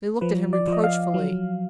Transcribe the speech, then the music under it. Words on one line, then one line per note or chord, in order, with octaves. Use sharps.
They looked at him reproachfully.
F3 B4
D5
F3
D#5
F5
F#3